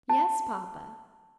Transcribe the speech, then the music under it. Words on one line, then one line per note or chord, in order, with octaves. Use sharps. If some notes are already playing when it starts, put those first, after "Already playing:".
"Yes, papa."
A5